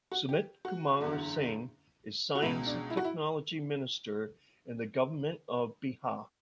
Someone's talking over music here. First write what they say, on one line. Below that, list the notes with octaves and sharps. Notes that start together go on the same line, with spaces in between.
Sumit Kumar Singh is Science and Technology minister in the Government of Bihar.
F#4
G4
F#4
F#1 E2 D3
F#4
C#2 B2 E4
D4
E4
F#4
E4